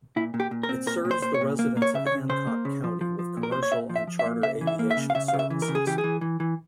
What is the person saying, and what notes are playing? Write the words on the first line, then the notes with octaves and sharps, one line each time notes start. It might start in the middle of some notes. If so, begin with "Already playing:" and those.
It serves the residents of Hancock County with commercial and charter aviation services.
A#2 E4
A#2
G4
A#2
A#4
C4
A#2 A#4
A#2
C5
A#2 C5
C#5
A#2
A#3
A#3
C#5
C#3 E5
C#5
C#3
C#3 C5
A#3
C#3
F3
F3
F3
A#2
A#4
A#2 C5
C#5
A#2 E5
F3
E5
F3
E5
A#3
C#3 E5
E3
E5
A#3
E5
C#3
F5
C#3 E5
F5
C#3
E5
E3
A#4
C#3
G#4
E3 G4
G#4
E3
E3
E3